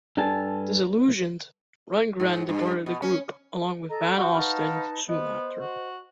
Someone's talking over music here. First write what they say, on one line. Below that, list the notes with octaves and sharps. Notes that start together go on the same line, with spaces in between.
Disillusioned, Rundgren departed the group, along with Van Osten, soon after.
G2 D4 G4 A4 G#5 A5
G#2
G2
B2
C#4
A4 D#5 A#5
F3 F#4 F#5 C#6 G6
D#4 B4 F5 A5
B3 C5 D#5
F#4